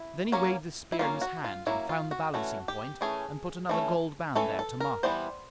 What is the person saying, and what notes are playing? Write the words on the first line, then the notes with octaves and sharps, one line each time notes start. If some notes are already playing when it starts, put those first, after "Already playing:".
Then he weighed the spear in his hand and found the balancing point and put another gold band there to mark it.
Already playing: E4
F#3 A#3 C#4
E4
F#3 A#3 C#4 F4
F#4
F4
F#3 A#3 C#4 E4
F4
F#4
E3 A3 C#4 F#4
G4
E3 A3 C#4 G#4
E3 A3 C#4
E3 A3 C#4 A4
A4
A#4
E3 G3 B3 C5